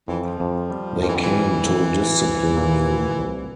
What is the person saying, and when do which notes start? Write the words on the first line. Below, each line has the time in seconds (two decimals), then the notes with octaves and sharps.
They came to discipline you.
0.08 F2 E3
0.24 F3
0.40 F2
0.70 G3
1.02 F2 F3
1.09 E3
1.16 D3
1.23 E3
1.33 G3
1.64 F2
1.94 F2
2.25 C2
2.56 A#2
2.88 A3
3.19 C2